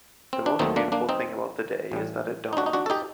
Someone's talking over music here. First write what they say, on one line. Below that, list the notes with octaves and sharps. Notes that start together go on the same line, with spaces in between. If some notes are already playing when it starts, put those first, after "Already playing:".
The most beautiful thing about the day is that it dawns.
C4
D4
D#2 D#3 F#3 A3 C4 D#4
A#3 D4
A#3 D4
C4 D#4
A1 A2 G3
D#4
D4 F#4
D#4
D4 F#4
A4
D#4 G4